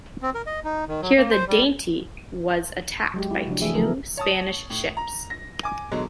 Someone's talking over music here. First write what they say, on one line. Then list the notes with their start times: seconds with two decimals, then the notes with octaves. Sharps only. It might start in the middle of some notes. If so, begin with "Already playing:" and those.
Here the "Dainty" was attacked by two Spanish ships.
0.22 C4
0.35 A#4
0.46 D#5
0.64 D#4
0.88 D#3
1.02 F#3
1.17 A#3
1.31 C5
1.48 G3
3.14 F#3 G#3 G4
3.31 E4 F#4
3.47 C3 F3 D4
3.62 E3 F3 A3 G#4 E5
3.74 C#3 F3 F#3 A3 A4 A#4
4.17 C#5 A5 D#6
4.70 A2
4.97 A#5
5.30 A#6
5.63 G#5 D6
5.92 B2 D3 F#3 G#3